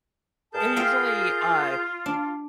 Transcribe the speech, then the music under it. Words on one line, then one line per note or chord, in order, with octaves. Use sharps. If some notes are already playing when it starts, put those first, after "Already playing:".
it usually, uh,
G2 G#4 A#4 A5 G6
F4 E5 F5 G5
D4